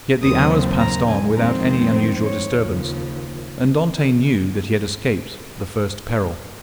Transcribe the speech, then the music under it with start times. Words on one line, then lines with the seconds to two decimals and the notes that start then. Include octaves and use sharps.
Yet the hours passed on without any unusual disturbance, and Dantes knew that he had escaped the first peril.
0.22 D#2 C#3 F#3 C4 D#6
0.80 A#5
1.08 G#5
1.36 F2 D#3 G#3 C4 A#5
1.64 C5
1.92 C5
2.22 C#5
2.50 D#2 C#3 F3